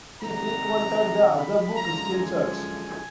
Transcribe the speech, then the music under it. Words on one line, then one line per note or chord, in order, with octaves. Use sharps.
He frequented the Azabu Christian Church.
C3 D#3 G3 B3 A#5
B5
F#2 D3 F3 G#3 A#5
G#5